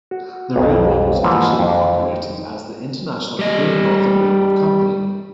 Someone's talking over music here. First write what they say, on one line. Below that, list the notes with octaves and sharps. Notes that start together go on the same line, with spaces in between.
The railroad was officially incorporated as the International and Great Northern Railroad Company.
F#4
B1 F2
G#2 E3 F3 A#3 A#5
F2
D#4
G3 D#5